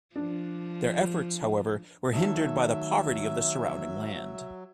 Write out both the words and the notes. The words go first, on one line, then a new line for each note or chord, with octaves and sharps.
Their efforts, however, were hindered by the poverty of the surrounding land.
F3 D4
D#3 F#3 A3 A4 E5